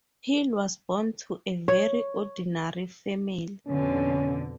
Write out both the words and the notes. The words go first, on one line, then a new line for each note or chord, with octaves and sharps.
Hill was born to a "very ordinary" family.
C#5
F2 B2 D3 C#4